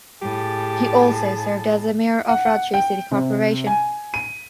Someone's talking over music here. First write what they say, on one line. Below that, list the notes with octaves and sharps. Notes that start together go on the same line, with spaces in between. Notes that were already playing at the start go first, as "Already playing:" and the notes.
He also served as the mayor of Rajshahi City Corporation.
A2 G4 G#4 A5
F#5
F#5
G5
C3
G#5
D#7